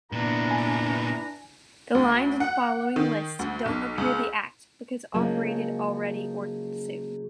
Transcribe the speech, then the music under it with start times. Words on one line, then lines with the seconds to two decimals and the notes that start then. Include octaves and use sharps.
The lines in following list don't appear the act, because operated already or soon.
0.12 A#2 B3 D4 E4 B4 A#5
0.51 G#5
1.95 D2
2.40 F#5
2.96 D#3
3.39 D2
3.66 B1
3.98 C#2
5.14 C#3 F3 F#3 G#3 A#3